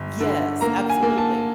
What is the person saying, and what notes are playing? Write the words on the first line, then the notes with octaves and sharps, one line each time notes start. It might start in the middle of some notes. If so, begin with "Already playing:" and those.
Yes, absolutely.
Already playing: G1
D3
A#3 A#5
G#5
A#3
A5